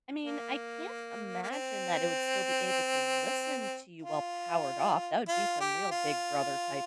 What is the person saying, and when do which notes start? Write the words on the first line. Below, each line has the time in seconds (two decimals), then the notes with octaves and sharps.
I mean, I can't imagine that it would still be able to listen to you while powered off, that would be some real big brother type
0.25 A#3
1.42 A#3
1.50 C4
4.02 F4
5.28 F4
5.60 G4
5.91 F4